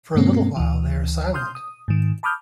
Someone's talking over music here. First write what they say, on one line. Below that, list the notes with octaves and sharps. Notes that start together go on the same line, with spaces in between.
For a little while they are silent.
G2 B2 G#3 A#3 C4 C#4
D2 E3
C6 D#6 F6 G6
D#6
G#2 D#3
A5 B5 D6 D#6 F6 G6